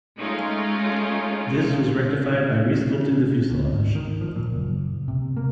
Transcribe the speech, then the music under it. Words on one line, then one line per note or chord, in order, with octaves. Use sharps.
This was rectified by re-sculpting the fuselage.
G#3 A3 C#4 D#4 F4 G#4
D2
G#1
D#3
F3
A#2
F#1
C3
A#3